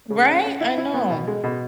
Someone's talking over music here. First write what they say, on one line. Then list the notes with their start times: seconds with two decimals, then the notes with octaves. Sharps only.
Right, I know.
0.10 C#3
0.28 C#4
0.43 C#4
0.61 E4
0.78 E4
0.94 B3
1.10 B2
1.27 G#3
1.44 B2